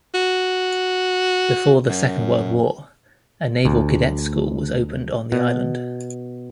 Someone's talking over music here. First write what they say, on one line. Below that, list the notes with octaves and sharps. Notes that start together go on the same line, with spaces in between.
Before the Second World War, a naval cadet school was opened on the island.
F#4
F#2
D2
B2